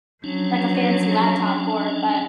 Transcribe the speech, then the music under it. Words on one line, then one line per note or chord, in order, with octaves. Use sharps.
like, a fancy laptop for, but.
F3 F#3 C#4 D4